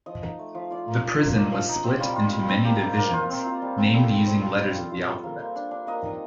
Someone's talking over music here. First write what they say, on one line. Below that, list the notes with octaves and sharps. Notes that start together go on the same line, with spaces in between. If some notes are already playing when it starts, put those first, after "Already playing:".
The prison was split into many divisions, named using letters of the alphabet.
F3 D#5
D#4
A3
F3
F4 D5
A#3
F4
A#3
D#4 D5
F3
D#4
C4
G3 F4
F4
G3
C4
A#3 G4
A#3
A#3
F4
C4
F4
G3
C4
G3 A4
F4
C4
F4
G3
F4
F4
G3
A#3
A#3
D4
D4
A#3 D#5
D#4